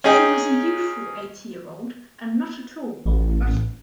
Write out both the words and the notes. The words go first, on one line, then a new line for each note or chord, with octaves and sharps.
She was a youthful eighty-year-old, and not at all old-fashioned.
C#4 D#4 G#4 D#5 G5
A1